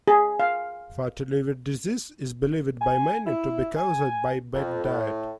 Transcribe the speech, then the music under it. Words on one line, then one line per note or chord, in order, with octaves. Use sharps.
Fatty liver disease is believed by many to be caused by bad diet.
G#4
F5
G#5
E4
G#5
F2
A2